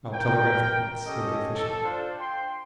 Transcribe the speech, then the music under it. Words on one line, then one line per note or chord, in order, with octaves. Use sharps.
"I'll telegraph at once," said the official.
A#4 G5
C#4 G4 A4 D#5
A4
D4 F4 C5
G5 C6